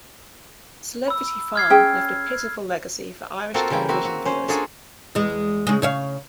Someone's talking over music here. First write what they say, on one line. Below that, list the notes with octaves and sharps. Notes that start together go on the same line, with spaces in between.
"Celebrity Farm" left a pitiful legacy for Irish television viewers.
B5 E6
F6 G#6 C7
C#4 G#4 G5
A#3 C4 F4 F#4 A4
C#3 E3 A#3 G5
A#3 C4 F#4 E5
F#4
C#4 C5
A3 A#3 D4 F4 F#4 G#4
E2 G#3
C#3 G#3
C#3 C#5 F5